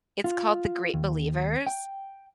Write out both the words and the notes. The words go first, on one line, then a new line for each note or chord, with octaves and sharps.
it's called The Great Believers
F4
D#2
G5